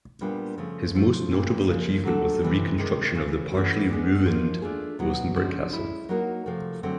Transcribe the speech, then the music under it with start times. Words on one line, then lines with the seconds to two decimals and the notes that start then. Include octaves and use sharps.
His most notable achievement was the reconstruction of the partially ruined Rosenburg Castle.
0.21 A#2 G3 B3 D4 F4
0.58 C#3 F3 A3
0.95 F3 A3 C4 F4
1.31 A#2 G3 A#3
1.68 C#3 F3 A#3 D4
2.05 F#3 A3 D4 F#4 A4
2.42 C3 E3 G3
2.78 C3 D#3 G#3
3.15 C#3 E3 A3
3.52 E3 A3 C#4 F#4
3.89 G#3 B3 D4
4.26 F3 A#3 D#4
4.62 A3 D4 F4 G#4
4.99 B2 F#3 B3
5.36 D3 F3 G#3 C#4 F#4
5.73 G#3 C#4 E4
6.09 F#3 A#3 D#4 F#4 A#4
6.46 C3 F3 A3
6.83 D3 F#3 A3 C4